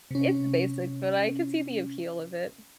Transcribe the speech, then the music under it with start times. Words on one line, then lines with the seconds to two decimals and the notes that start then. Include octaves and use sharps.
It's basic, but I could see the appeal of it.
0.11 C3 C#4